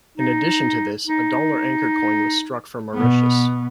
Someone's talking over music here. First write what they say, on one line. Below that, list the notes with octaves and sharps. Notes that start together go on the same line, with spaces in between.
In addition to this, a dollar anchor coin was struck for Mauritius.
D#4
D#4
B2 B3